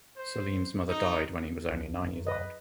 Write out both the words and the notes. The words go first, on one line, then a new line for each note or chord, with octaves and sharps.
Salim's mother died when he was only nine years old.
C5
D#4
C#2 F3
G1 E2
F#2
B4 D#5